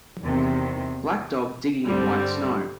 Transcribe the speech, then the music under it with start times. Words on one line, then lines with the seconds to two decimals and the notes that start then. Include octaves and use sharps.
Black dog digging in white snow.
0.20 E2 C3 D#3
1.86 G2 D3 G3 C4